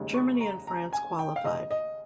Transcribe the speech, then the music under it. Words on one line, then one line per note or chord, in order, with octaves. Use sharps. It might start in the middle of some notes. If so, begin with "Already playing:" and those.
Germany and France qualified.
Already playing: F1 D#2 C#3 G#3 D#4
C#6
A#5
A#5
G#5
G5
F5
D#5
D#5